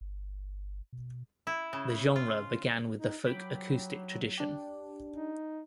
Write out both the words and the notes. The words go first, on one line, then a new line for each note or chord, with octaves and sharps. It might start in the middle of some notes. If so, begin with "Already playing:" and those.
The genre began with the folk-acoustic tradition.
G1
B2
E4
C#3
F4
D#4
F#3 G5 B5 D6
D4 G4
D#4